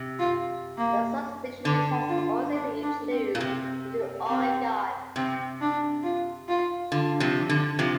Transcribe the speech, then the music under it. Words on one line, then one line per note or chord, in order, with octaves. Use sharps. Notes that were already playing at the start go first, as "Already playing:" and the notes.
The subspecies has also been introduced into Oregon.
Already playing: C3
F4
A#3
D3 D4
F4
D4
D4
C4
A#2
C3 C4
C4
C3 C4
D4
F4
F4
D3 F4
C3 F3
D4
D3
C3 F3